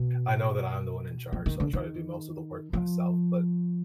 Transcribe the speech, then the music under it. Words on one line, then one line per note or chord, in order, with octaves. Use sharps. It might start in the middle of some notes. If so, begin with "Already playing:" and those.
I know that I'm the one in charge, so I try to do most of the work myself, but,
Already playing: B2
F3
D#3
D3
D#3
F3